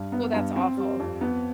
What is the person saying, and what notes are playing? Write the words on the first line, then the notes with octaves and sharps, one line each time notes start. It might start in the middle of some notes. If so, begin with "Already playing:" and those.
Oh, that's awful.
Already playing: G2
B3
G2
C4
G3
F2
B3